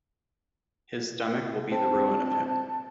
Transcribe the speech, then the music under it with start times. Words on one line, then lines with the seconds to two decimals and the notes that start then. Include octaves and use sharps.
His stomach will be the ruin of him.
1.72 C4 A5